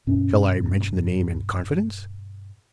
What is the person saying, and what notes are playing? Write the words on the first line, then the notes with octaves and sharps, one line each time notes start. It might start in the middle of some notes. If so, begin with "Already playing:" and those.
Shall I mention the name in confidence?
G2 B2 C#4